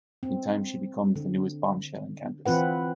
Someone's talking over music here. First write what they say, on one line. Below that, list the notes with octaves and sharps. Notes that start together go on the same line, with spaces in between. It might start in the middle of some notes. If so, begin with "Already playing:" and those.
In time she becomes the newest bombshell in campus.
C4
D3
E3 C4 F4 B4 F#5